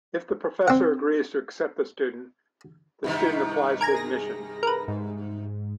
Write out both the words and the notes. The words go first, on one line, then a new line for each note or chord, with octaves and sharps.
If the professor agrees to accept the student, the student applies for admission.
C4 F#5
G2 C3 D#3 E4 D#5
A#4 G#5 A#5 G#6 D7
G#4 A#6
A#4 B4
G#2